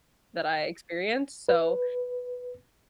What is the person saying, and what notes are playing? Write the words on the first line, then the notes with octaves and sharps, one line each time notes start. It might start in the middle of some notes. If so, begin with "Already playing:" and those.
that I experienced. So,
B4